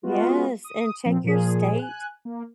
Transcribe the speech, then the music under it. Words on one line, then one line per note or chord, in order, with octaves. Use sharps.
Yes, and check your state
G#3 B3 F4 F#4
D#6
A#2 F3 C4
A#2 F3 G#4
G#5 F#6
A#3